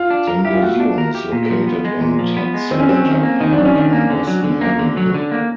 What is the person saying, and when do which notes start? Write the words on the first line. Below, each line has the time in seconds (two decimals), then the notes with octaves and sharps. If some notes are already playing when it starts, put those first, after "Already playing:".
The museum is located in Tex Ritter Park on Boston Avenue.
Already playing: F4
0.10 D4
0.27 A#4
0.45 E4 G4
0.54 F4
0.62 A3 F#4
0.80 D4
0.98 A#4
1.15 G4
1.32 A#2
1.50 F3
1.67 B3
1.85 G#3
2.01 A#2
2.19 F3
2.37 B3
2.54 G#3
2.71 D#3 C4
2.80 C#4
2.88 F#3 C4
3.05 D#3
3.23 A#3
3.40 D#3 D#4
3.53 D4
3.58 F#3
3.65 C#4
3.75 D#3 D4
3.92 A#3
4.10 D3
4.27 F#3
4.44 D3
4.61 A#3
4.79 D3
4.97 F#3
5.14 D3
5.32 A#3